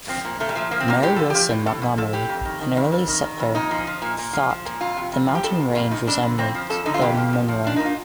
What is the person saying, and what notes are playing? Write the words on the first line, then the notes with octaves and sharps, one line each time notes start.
Mary Wilson Montgomery an early settler thought the mountain range resembled the Munro.
F3 C4
A#2
A#2 A3
G3
F3 A3
F3 A#3
C4
A#2 A#3
A2 G4
F3 A4
F3 G4
A2
A2 A4
F3
F3 A4
A2 G4
F2
D#3
D#3
F2
F2
D#3
D#3
F2
A#2 D#4
F3
F3
A#2
A#2
F3
F3
A#2
F2 F4
C3
F2
F3
G4
F2 A4
C3
F2 F4
F3 D#4
F2 D4
D3
F2 C4
F3
F2 A4
D3 D#4
F4
F2 G4
F3
A#2
F3
F3 D4
A#2 D#4
F4